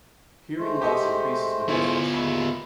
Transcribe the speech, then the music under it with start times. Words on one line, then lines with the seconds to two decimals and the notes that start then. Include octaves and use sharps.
Hearing loss increases with age.
0.57 G#3 A3 C5
0.81 G4 A4 D#5
1.69 B3 E4 F4 G#5
2.14 D#2 G#3 E5 B5